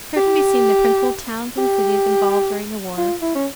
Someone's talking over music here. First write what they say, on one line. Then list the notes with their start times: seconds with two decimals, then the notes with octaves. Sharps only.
Here can be seen the principal towns and cities involved during the war.
0.16 G4
1.58 G4
2.98 F4
3.21 E4
3.35 C#4